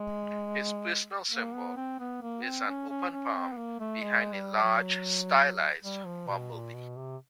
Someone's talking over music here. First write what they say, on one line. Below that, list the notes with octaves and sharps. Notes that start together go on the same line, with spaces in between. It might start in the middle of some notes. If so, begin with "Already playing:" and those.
His personal symbol is an open palm behind a large, stylized bumblebee.
Already playing: G#3
A#3
B3
C4
B3
A#3
C4
C#4
C#4
C#4
C4
B3
A#3
A3
G#3
G3
F#3
G3
F3
B2
A#2
B2
C3